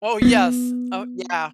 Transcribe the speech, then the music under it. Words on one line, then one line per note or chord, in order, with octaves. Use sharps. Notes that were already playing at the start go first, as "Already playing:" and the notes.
Oh, yes. Oh yeah.
B3